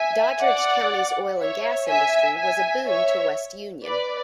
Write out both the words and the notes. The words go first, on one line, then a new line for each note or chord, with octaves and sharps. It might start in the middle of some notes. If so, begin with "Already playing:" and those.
Doddridge County's oil and gas industry was a boon to West Union.
Already playing: E5 G#5
D5 F#5
C#5 E5
E5 G#5
E5 G#5
C#5 E5
B4 D5